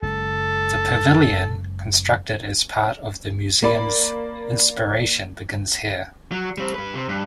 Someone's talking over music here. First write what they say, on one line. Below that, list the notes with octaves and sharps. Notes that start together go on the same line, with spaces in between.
The Pavilion, constructed as part of the Museum's Inspiration Begins Here!
F#1 C#3 G#3 A4
A#3 D5 B5
F#3
G3 C4
G3 B4
C3
G2